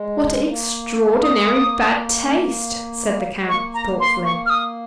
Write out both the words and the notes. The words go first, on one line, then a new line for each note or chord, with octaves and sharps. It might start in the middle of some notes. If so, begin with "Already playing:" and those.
"What extraordinary bad taste!" said the count, thoughtfully.
Already playing: G#3
A#3
D#6
G#3
A#3 C#6
A#5
C6
C#6
F6
D#6